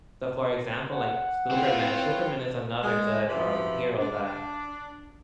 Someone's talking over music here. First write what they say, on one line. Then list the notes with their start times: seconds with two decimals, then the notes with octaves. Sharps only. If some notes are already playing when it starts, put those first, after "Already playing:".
So, for example, like, Superman, Superman is another good, um, hero that
0.92 F#5
1.51 C4 E4 F4 B4 C#5 G5
2.83 G#3
3.28 F#2 F3 C4 E4 G4 B4
3.99 D4